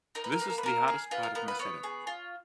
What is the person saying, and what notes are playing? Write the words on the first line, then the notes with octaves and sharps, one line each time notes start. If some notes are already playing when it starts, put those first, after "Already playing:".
This is the hardest part of my setup.
D#4 A#4
B4
A#4
A#3 B4
A#4
B4
A#3 A#4
G#4
F4 B4
A#4
B3 A#4
B4
B3 C#5
G#4
F4